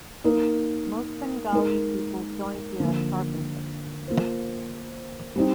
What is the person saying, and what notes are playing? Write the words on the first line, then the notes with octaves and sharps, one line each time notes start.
Most Bengali people joined here as carpenters.
A#3 D#4 A#4
G#3 D#4 A#4
D3 F3 A#3
A#3 F4 C5
G3 C4 D#4 G4